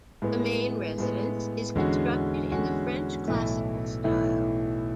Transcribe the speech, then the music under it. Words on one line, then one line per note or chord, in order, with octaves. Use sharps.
The main residence is constructed in the French classical style.
A2 G#3 B3
A2 G#3 B3
E2 D3 G#3 C#4 F#4
E2 D3 G#3 C#4 F#4
B1 A2 E3 A3 E4
B1 A2 E3 A3 E4